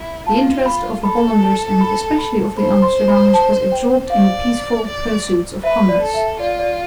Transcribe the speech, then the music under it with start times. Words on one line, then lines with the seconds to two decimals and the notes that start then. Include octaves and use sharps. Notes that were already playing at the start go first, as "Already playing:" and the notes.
The interest of the Hollanders and especially of the Amsterdammers was absorbed in the peaceful pursuits of commerce.
Already playing: E4
0.27 F4 A5
0.66 B5
1.03 A4 B5
1.43 A5
1.81 B5
2.18 B5
2.57 C5 B5
2.82 C6
3.08 B5
3.34 A5
3.72 G5
4.10 D5 F5
4.87 D5
5.63 B4 E5
5.89 D5
6.01 A4
6.14 E5
6.40 F4 D5
6.59 D5